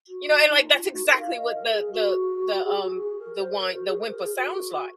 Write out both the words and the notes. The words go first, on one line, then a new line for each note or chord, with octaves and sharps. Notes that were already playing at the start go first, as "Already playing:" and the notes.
You know? And, like, that's exactly what the the the, um, the whine the whimper sounds like.
F#4
D#4
F4
D#4
F#4
A#4
F5
D#5
A#4
G#4
F#4
G#4
F#4
G#4
A#4
C5
A#4
F#4
G#4
C5
A#4
G#4
F#4